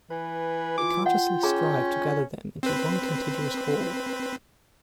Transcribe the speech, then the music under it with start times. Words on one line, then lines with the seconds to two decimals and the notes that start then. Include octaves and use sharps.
They consciously strived to gather them into one contiguous whole.
0.11 E3 B4
0.78 F4 D6
1.06 F#5 G5
1.43 C#4 G#4 A#5
2.63 C4 B4